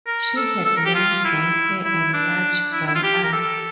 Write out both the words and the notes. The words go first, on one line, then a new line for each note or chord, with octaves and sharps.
She had long brown hair and large brown eyes.
A#4
A4
A4
A#4
G4
F4
E4
E4
D4
E4
E4
F4
G4
A#4
A4